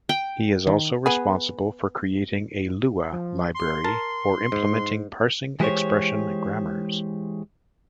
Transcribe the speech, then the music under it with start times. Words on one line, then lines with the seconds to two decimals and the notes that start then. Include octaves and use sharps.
He is also responsible for creating a Lua library for implementing parsing expression grammars.
0.09 G5
0.67 D#3
1.06 B3 G#4
3.12 F3
3.55 C6
3.84 A#4 A5
4.52 G#2
5.60 E3 G#3 G4 G#4 C5 C#5